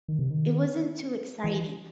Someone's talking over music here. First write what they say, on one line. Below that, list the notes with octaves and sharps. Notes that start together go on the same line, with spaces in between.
it wasn't too exciting.
D#3
C3
D#3
E3